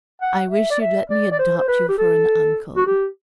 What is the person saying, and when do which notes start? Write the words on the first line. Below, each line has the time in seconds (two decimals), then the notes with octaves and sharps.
I wish you'd let me adopt you for an uncle.
0.22 F#5
0.50 E5
0.71 D5
0.80 E5
1.09 D5
1.31 D5
1.39 C5
1.57 C5
1.68 B4
1.89 G4
1.98 A4
2.77 F#4
2.86 G4